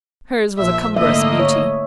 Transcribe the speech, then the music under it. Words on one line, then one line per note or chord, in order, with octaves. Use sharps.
Hers was a cumbrous beauty.
A#1 F3 E5
G#2 D3 A3 A#3 D#5 E5
C#5